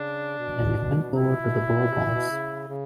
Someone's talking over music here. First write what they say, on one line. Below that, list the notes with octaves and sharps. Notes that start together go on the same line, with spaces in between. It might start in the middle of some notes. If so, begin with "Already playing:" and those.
Then he went over to the Bourbons.
Already playing: C#3 D4
B2
B2 E4
B2
A#2
C3
B2
A#2
B2
C#3
C#3